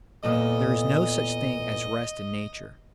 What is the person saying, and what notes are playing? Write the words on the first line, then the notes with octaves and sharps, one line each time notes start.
There is no such thing as rest in nature.
E2 A#2 A4 D#5